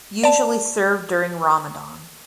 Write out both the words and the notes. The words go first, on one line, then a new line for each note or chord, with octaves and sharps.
Usually served during Ramadan.
D5 A5